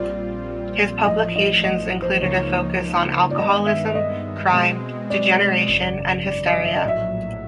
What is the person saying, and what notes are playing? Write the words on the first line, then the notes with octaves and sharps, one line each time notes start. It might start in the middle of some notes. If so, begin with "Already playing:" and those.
His publications included a focus on alcoholism, crime, degeneration and hysteria.
Already playing: A#1 A#2 G3 C4 F4 D5
A1 A2 F3 D#5
D#5
D#5
C5
C#2 C#3 F3 A#3 D#4 C#5
D5
G2 D#3 G#3 B3 D#5
E5
D#5
B2 G#3 C4
D5
G#1 F#2 C#3
D5
D#5
E5
D#5
A#1 A2 F#3 E5